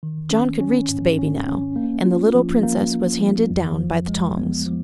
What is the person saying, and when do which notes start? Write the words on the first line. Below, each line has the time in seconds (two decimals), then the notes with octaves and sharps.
John could reach the baby now, and the little princess was handed down by the tongs.
0.03 D#3
0.31 C#4
0.60 C#4
0.89 G#2
1.18 C#4
1.47 C#4
1.76 A#3
2.05 F4
2.34 F3
2.63 A#3
2.92 A#3
3.21 F3
3.50 F2
3.79 F3
4.08 G#3
4.37 B3
4.66 F3